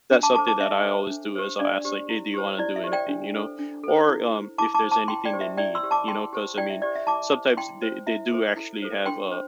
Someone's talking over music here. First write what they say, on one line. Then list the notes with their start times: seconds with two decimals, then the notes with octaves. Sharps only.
that's something that I always do is I'll ask, like, "Hey, do you want to do anything," you know. Or, um, if there's anything they need, you know, 'cause I mean, sometimes they they do actually have a
0.10 D4
0.23 A5 D6
0.35 A4 A5 D6
0.38 C5
0.47 A5 D6
0.60 D4 E5
0.85 A4 C5
1.10 D4
1.35 G4 C5
1.59 D4 D5
1.85 G4 C5
2.10 E4
2.34 G4 C5
2.59 E4 D5
2.76 E5
2.84 G4 C5
2.92 D5 G5
3.09 D4
3.34 A4 C5
3.59 D4
3.83 A4 C5
4.09 E4
4.34 C5
4.58 E4 A5 D6
4.74 A5 D6
4.84 C5
4.91 A5 D6
5.08 E4 G5 C6
5.25 D5 G5
5.33 G4 C5
5.41 E5
5.57 E4 D5 G5
5.75 C6 E6
5.83 G4 C5
5.91 A5 D6
6.07 E4 G5 C6
6.33 G4 C5
6.58 E4 D5 G5
6.70 E5
6.82 G4 C5 D5
6.96 E5
7.07 E4 A5 D6
7.33 C5
7.57 E4 G5 C6
7.82 C5
8.07 E4 E5
8.32 A4 C5
8.56 E4
8.82 A4 C5
9.06 D4 G5 C6
9.32 C5